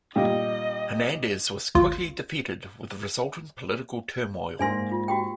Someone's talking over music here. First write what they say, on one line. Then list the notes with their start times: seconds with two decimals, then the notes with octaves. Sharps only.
Hernandez was quickly defeated, with resultant political turmoil.
0.16 A#2 G3 G4 D#5
1.75 G#1 D2 F4
4.59 G#2 A#3 D5 G#5 C6 A#6
4.91 F4
5.08 F#4 G4 G5